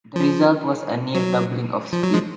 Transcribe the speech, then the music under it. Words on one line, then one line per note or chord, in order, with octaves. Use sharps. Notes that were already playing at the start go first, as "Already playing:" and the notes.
The result was a near-doubling of speed.
F3
F#3
F3
F#3
F3 G#3